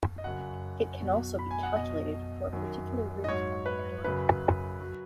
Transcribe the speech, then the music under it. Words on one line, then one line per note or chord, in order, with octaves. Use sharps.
It can also be calculated for a particular route of an airline.
D#5
F#2 C#3 F#3 F#5
B2 F#3
B5
G#5
F#5
B2 F#3 D#5
F#2 D#3 F#3
D#5
G#2 F#3 C#5
B4
F#2 C#3 F#3 B4
F#3